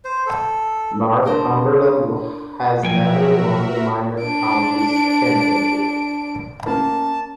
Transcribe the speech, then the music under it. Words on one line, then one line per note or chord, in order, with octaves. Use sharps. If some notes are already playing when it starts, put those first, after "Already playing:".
Northumberland has never won the Minor Counties Championship.
C5
A4
D4 A#4 C5
B1 F3 F#4 A#4 E5 G5 G#5
D4 D7
A#3 C#4 A5